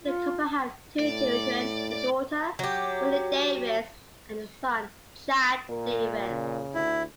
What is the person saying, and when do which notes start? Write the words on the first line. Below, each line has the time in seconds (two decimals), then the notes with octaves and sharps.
The couple have two children: a daughter, Whitney Davis, and a son, Chad Davis.
0.02 F4
0.99 A2 D5
2.59 F#3 G4
5.69 A#2 A#4
6.29 C#3
6.75 D2 E4